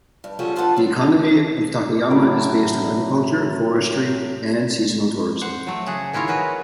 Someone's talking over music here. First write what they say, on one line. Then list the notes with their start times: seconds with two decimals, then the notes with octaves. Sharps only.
The economy of Takayama is based on agriculture, forestry, and seasonal tourism.
0.24 G2
0.39 C#3 F3 G3 F#4 G#4 A4
0.56 D4 F4 A4 B4 E5 F#5
0.76 F#3 D4
2.10 A2 F#3 D6
5.42 C5 F#5
5.67 F#3 A3
5.87 C#3 G#4 F#5
6.13 D#3 E4 F4 A#4 C#5
6.28 B3 C#4 F#4 A#4 B4